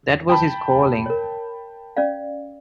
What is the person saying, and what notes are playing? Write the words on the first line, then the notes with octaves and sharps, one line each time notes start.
That was his calling.
G5 A5 B5
A#4 C#5
C#4 D5 F5